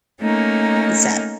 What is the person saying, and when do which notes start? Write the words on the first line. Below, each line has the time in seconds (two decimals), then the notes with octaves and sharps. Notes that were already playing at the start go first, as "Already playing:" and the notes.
It's sad.
0.20 A3 A#3 C#4 D#4